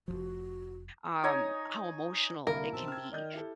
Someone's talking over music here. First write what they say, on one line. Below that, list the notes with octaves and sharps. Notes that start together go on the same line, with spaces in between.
um, how emotional it can be,
F1 C#2 F3 F#4
D#4 C#5 D#5 G#5
C2 D3 A#3 E4 A#4
B1 C4 E5 A5
F6 G#6
D#3 D5 D#5 G6
E4 G4 A4